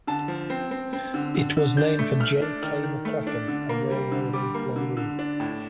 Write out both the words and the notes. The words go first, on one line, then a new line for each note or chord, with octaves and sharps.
It was named for J. K. McCracken, a railroad employee.
D3 A5
F3
C4
C4
C4
D3
D3
D3
D4 G6
A3
A3 F6
D4
D#3 F6
D#3
A3
D4
D3
A#3
G3
D3
G3 D6
A#3
D3
D3
D4
A2